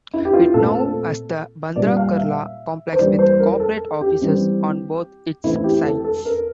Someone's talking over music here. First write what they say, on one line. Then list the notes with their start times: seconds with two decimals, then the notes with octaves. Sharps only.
It now has the Bandra-Kurla complex with corporate offices on both its sides.
0.14 E4
0.25 G4
0.33 F4
0.54 A#2 A3 C4 A4
0.75 A4
1.76 A#2 G3 A#3 D5
1.97 F5
2.17 E5
2.93 C5
2.99 E3 G3 A#3 D5
3.19 C5
3.40 A#4
3.60 A4
4.01 G4
4.21 E3 G3 C4
5.44 E3 A3 C4 E4
5.64 G4
5.84 A4
6.04 A4
6.25 A#4